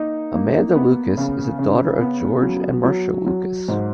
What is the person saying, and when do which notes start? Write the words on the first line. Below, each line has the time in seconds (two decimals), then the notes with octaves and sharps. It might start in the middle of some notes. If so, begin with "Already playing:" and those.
Amanda Lucas is the daughter of George and Marcia Lucas.
Already playing: A#3 D#4
0.34 A#3
0.75 B3
1.17 C#3
1.59 C#3
2.01 B3
2.42 F#3
2.85 F#3
3.26 F#3
3.68 G#2